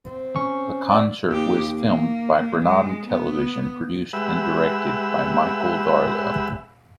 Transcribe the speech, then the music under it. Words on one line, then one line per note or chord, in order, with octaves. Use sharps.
The concert was filmed by Granada Television, produced and directed by Michael Darlow.
C4
C#4 C#6
D5
D#2 G4
A#3
G#3
B3
G#3 G4 B4 E5 F#5 E6